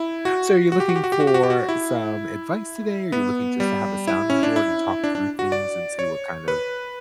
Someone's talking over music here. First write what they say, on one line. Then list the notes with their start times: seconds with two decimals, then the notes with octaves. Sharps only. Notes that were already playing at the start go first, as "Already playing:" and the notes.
so are you looking for some advice today, or you're looking just to have a sounding board and talk through things, and see what, kind of,
Already playing: E4
0.25 F#4
0.72 F#4
0.80 G4
0.89 F#4
0.96 G4
1.04 F#4
1.12 G4
1.20 F#4
1.27 G4
1.34 F#4
1.43 G4
1.50 F#4
1.69 E4
3.12 B3
3.60 G3
4.07 E4
4.30 C#4
4.43 D4
4.56 E4
5.04 D4
5.15 D4
5.39 F#4
5.52 D5
5.99 C#5
6.48 B4